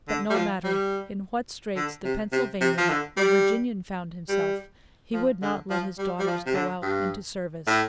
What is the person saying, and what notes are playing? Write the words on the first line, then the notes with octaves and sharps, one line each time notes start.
But no matter in what straits the Pennsylvanian or Virginian found himself, he would not let his daughters go out into service.
D3
G3
F3
G3
D3
C3
C3
C3
F3
D3
G3
G3
F3
D3
F3
G3
G3
F3
C3
D3
G2
A2